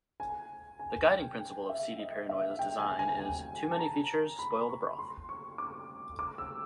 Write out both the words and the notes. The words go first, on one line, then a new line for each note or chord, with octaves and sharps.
The guiding principle of cdparanoia's design is "Too many features spoil the broth".
G#5
G#5
G5
G5
E5
D#5
E5
G5
G#5
G#5
G#5
A5
A#5
B5
C#6
C6
C#6
D6
D6
E6